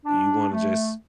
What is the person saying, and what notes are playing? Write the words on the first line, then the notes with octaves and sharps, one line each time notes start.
You wanna just
D4
A3